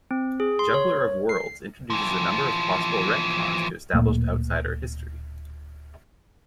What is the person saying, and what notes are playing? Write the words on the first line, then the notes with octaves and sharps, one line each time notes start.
"Juggler of Worlds" introduces a number of possible retcons to established Outsider history.
C4
G#4
C6
C#5
C7
E3 F3
D1 A#2 A3 A#3